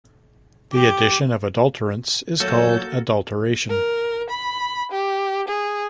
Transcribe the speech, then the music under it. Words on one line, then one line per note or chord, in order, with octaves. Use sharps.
The addition of adulterants is called adulteration.
G4
F#3 A3 A#3 F#4 A4 C#5 G6
A#4
B5
G4
G#4